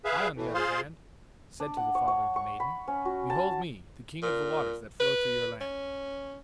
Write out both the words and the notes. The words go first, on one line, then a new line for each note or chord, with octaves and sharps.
I, on the other hand, said to the father of the maiden, 'Behold me, the king of the waters that flow through your land.
G#4 B4 E5 F5
A2 E3 A3
F4 G#4 C5 F5 C6
D4
F#5
C#5
C#5
C#6
B5
C#4
F#4
A5
A#2
B4
C#4